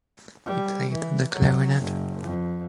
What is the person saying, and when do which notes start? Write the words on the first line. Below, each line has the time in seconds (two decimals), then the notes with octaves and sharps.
He played the clarinet.
0.46 G3
0.90 E3
1.32 F#3
1.77 F#1
2.22 F2